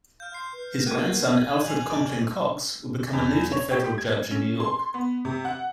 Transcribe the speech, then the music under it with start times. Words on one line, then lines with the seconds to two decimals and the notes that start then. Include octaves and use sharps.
His grandson Alfred Conkling Coxe would become a noted federal judge in New York.
0.20 F5 F6 G6
0.33 C6 G6 C7
0.53 B4
0.86 A#3 B3 G4 F#5 F#6 G#6 D#7
1.64 D#3 G4 G#5 F7 F#7
1.90 D5
3.13 E2
3.52 C#5
3.71 G4
3.98 G#6
4.31 C#4
4.60 C6
4.94 B3
5.25 C3
5.45 F#5